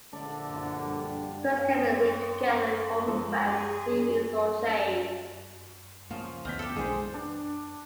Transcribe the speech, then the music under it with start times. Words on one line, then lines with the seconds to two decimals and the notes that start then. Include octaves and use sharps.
Quests can be linked together to form quest series or chains.
0.13 A#1 D3 D4 D5 E5
0.53 D4 F4 F#4
0.86 G3
1.59 C#5 F5 G5
3.08 F3 G#3 A4
3.50 G4 G#4 A5
6.11 C#3 F3 A#3 F5
6.45 D2 E3 B3 F6 G6 B6
6.59 G4 A4
6.76 B1 E3 G#3 D4 G#4 C5 G#5 D#6
7.14 D4